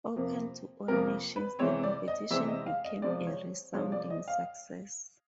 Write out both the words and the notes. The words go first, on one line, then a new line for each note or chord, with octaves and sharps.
Open to all nations the competition became a resounding success.
F2 C3 F3 A#3
F2 C3 F3 A#3 A#4
B4
C3 E3 G#3 C4 C#5
D5
D#5
C3 E3 G#3 C4 E5
D#5
F5
D#5
C3 F3 G#3 C4 D5
C#5
C3 F3 G#3 C4 C#5
D5
D#5
F5